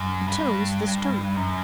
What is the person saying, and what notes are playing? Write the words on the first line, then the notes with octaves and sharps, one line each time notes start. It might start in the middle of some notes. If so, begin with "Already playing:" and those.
It tones the stomach.
Already playing: F#2
G2
F#2